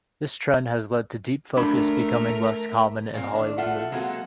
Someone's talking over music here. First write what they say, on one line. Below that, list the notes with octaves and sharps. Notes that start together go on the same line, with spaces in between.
This trend has led to deep focus becoming less common in Hollywood movies.
A3 D4 A#4 B5
A#2 A#3 C4
D#3 D4
F4 A4 E5 F#5
F#3 G#3 A#3 C4 F#4 A4